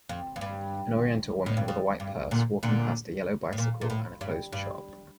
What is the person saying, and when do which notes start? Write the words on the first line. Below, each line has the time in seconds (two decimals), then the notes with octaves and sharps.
An oriental woman with a white purse walking past a yellow bicycle and a closed shop.
0.09 F2
0.36 F2
0.41 G2
1.46 A2
1.57 G2
1.68 F2
2.00 G2
2.31 A#2 D3
2.63 A#2 D3
3.53 A2
3.58 A#2
3.81 A#2
3.90 A2
4.21 G2
4.53 G2